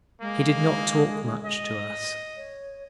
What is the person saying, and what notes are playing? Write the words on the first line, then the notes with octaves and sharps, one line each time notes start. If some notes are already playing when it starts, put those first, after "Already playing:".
He did not talk much to us.
G#3 A#3
D#5
C#5